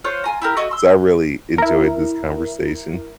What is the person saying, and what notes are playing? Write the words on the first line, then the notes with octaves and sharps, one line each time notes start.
so I really enjoyed this conversation.
F4 C5 C#5 F#6
F4 G#5 A#5
E4 G4 A#4
F#4 D#5 E5
C6 E6
E4 A#4